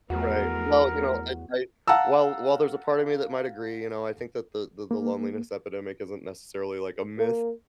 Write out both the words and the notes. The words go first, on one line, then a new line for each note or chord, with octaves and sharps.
Right. Well, you know, I I while while there's a part of me that might agree, you know, I think that the the the loneliness epidemic isn't necessarily, like, a myth.
E2 F3 A3 B3 F#4 A#4
F5 F#5 A5 A#5 E6
A#3
A#3